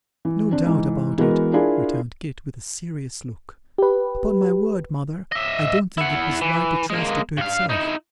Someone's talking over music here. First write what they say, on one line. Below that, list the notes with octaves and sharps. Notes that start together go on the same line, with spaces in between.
'No doubt about it,' returned Kit, with a serious look; 'upon my word, mother, I don't think it was right to trust it to itself.
E3
C4 D4
G#2 E3
E3 G#3 B3 F#4 A#4
D4 E4 F4 G#4 A#4
G4 B4
D#5 E5
E4 F#5
E3
G#3 A#3
G2 F5
D#4 E4